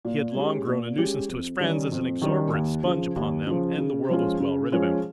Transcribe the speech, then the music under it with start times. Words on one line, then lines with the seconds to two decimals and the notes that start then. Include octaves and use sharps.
He had long grown a nuisance to his friends as an exorbitant sponge upon them, and the world was well rid of him.
0.05 A#2
0.35 G#3 C#4 G4
0.67 A#2
0.98 G#3 C#4 G4
1.28 F2
1.60 D#3 G3 C#4
1.92 F2
2.22 D#3 G3 C#4
2.53 D#2
2.85 C#3 F3
3.16 D#2
3.47 C#3 F3
3.78 C#3
4.09 F3 G#3 C#4 F4
4.40 C#3
4.72 F3 G#3 C#4 F4